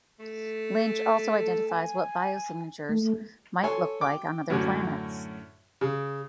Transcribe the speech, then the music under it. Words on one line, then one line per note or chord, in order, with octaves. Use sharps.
Lynch also identifies what biosignatures might look like on other planets.
A3
A4
G#5
A3
A4 C#5 G#5 C6
G5 D6
F#2 A2 D3 C#4
C#3